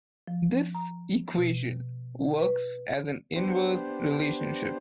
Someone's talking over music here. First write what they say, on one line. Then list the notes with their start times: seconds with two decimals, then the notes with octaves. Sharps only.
This equation works as an inverse relationship.
0.28 F3
0.75 A#5
1.38 B2
2.40 B4
3.36 B3 D4 G4 C5